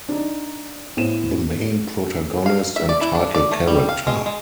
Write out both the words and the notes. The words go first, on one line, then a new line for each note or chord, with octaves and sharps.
The main protagonist and title character.
D4 D#4
A2 B3 C#4 C5 D#7 E7
F5
E5
D5
E4
D4
D5
A3
G3
F5
G#3
G#3